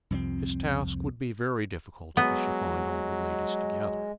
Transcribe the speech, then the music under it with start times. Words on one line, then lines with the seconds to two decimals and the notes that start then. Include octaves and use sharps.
His task would be very difficult if he should find all the ladies together.
0.11 C2 F2 G3 C4
2.17 F#3 G#3 B3